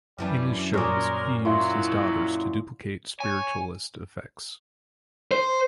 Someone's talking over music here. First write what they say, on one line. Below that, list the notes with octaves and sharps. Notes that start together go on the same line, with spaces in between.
In his shows, he used his daughters to duplicate spiritualist effects.
F#2 E3 G3 D4
F#2 A#2 G#3 A#4 C#5 A#5 D6
D#2 D#3 F#3 E4 F4 C6
C#5 G#5
C5